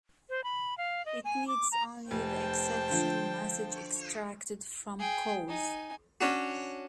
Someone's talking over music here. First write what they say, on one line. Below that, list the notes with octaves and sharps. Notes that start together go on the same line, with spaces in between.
It needs only the exception message extracted from "cause".
C5
B5
F5
D#5
G#5
D6
A#5
F1 C5 G5 A5
D3 F3
G#4 G5
D#4 G#5
C#4 D4 F#4